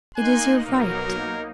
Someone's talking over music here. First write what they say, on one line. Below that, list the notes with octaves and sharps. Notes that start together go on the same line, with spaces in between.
It is your right.
A#3 D#4 G#5 C6 F#6
B1 F#3 B3 A#4